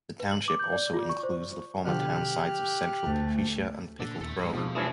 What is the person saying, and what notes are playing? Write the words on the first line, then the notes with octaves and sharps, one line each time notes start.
The township also includes the former townsites of Central Patricia and Pickle Crow.
B4
F#7
D6
G6
D5
F4
C#6
C5
B2 D3 F3 G4 F6 F#6
D2 A3
A#2 D4 A4
D#2 A4 E5
F2 G#3 E4
F2 G#2 B2 F3
G2 E3 F3 A3 C#4 D4 D#5 G#5